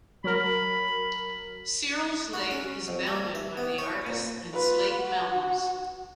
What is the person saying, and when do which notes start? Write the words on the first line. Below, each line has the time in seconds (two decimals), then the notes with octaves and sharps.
Searles Lake is bounded by the Argus and Slate Mountains.
0.24 F#3 A#4 B5
2.33 F#4
2.51 C#4
2.88 F2
3.07 G3
3.35 E5
3.57 B3
3.78 C#5
4.07 A#2
4.53 F4 B4
4.99 F#4